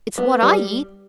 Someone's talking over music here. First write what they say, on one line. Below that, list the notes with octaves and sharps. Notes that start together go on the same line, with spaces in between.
"It's what I eat."
B3
G3